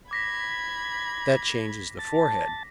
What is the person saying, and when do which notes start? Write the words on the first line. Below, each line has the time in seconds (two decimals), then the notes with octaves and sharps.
That changes the forehead.
0.11 B5 D6 G#6 A#6 B6
1.99 A5